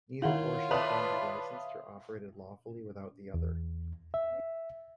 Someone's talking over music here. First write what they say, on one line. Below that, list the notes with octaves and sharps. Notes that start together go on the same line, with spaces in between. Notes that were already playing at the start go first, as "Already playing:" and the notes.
Neither portion can be licensed or operated lawfully without the other.
D#3 E4 F4 C#5 F5 F#5
B4 D5 E5 F5 A5 D#6
E2
E5